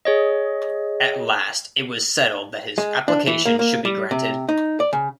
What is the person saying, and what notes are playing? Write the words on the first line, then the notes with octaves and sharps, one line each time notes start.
At last it was settled that his application should be granted.
G#4 C#5 D#5
G#3
D4
E3
A#3
A#3
G3
C3
D#4
D5
C#3